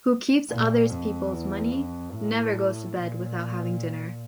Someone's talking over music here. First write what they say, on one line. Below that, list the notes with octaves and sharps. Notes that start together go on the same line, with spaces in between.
Who keeps other’s people money, never goes to bed without having dinner.
A#2
F2
E2
F2
A2
A#2